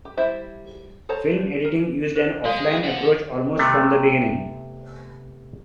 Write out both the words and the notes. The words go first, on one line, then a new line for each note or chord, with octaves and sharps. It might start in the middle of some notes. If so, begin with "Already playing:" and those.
Film editing used an offline approach almost from the beginning.
G4
G3 E4 C5 E5
A4 C5 C#5 A5 A#5
A#4
C5
G#3 G#4 A4 C#5 F5
D5 F#5
C3 A3 B3